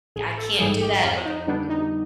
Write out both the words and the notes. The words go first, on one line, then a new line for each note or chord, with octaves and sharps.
I I can't do that, or the mhm.
A1 G#4
A4
G#2 E3 G3 G#4
G4
F2 F4
D#4
D3 G3 B3 D4
D#4